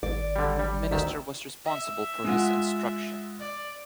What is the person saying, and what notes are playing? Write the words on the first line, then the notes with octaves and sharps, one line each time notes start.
Minister was responsible for his instruction.
G#1 D5
D3 G3
G3
D2 D#3 E5
E5
G#3 F4 F#5
D5